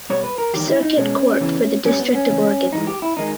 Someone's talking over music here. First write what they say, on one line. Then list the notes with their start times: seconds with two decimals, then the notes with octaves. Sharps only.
Circuit Court for the District of Oregon.
0.10 B2 G3 C#5
0.24 B4
0.38 A#4
0.53 E2 D#3 G3 G4
0.68 E4
0.83 D#4
0.97 B2 G#3 C#4
1.41 E2 C#3 E3
1.85 G2 G3 C#4
2.00 B3
2.15 C#4
2.29 E2 C#3 G#3
2.72 G2 E3 G#3 D#4
2.87 G4
3.02 E4
3.17 D#3 G#3 D#4